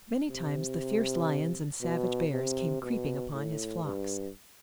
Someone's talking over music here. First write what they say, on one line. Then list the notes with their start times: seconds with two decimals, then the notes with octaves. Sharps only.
Many times the fierce lions and savage bears came creeping upon his flocks.
0.29 C3
1.81 B2
2.32 C3
2.82 B2
3.34 A2
3.84 G2